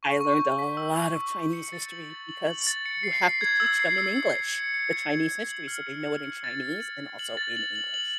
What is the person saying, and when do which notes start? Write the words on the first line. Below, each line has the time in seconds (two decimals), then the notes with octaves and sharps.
I learned a lot of Chinese history because you have to teach them in English. The Chinese history, so they know it in Chinese and also in English.
0.03 C#6
0.21 C#6
0.39 G6
0.59 B6
0.77 E6
0.96 G6
1.15 E6
1.34 C#6
1.53 C#7
1.72 A6
1.91 F#7
2.10 A6
2.29 F#7
2.47 F#7
2.67 A6
2.86 C#7
3.03 C7
3.23 C7
3.41 G#6
3.60 E6
3.79 C7
3.98 E6
4.16 E6
4.36 C7
4.55 C#7
4.74 C#7
4.93 G#6
5.11 G#6
5.31 G#6
5.49 F#7
5.68 F6
5.87 C#7
6.05 F#7
6.24 C#7
6.44 A6
6.62 C#7
6.80 F#7
7.00 A6
7.19 F#7
7.37 A6
7.57 F#7
7.75 F#7
7.94 F#7